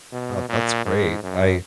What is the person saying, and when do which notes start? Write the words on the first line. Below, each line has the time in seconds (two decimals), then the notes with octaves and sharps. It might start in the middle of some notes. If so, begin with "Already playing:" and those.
Oh, that's great. I
0.12 B2
0.49 A#2
0.85 G#2
1.23 F#2